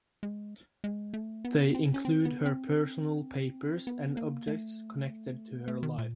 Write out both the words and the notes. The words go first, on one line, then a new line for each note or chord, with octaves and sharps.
They include her personal papers and objects connected to her life.
G#3
G#3
A3
B3
C4
C#4
C4
B3
C4
B3
A#3
A3
A3
D#3
A#2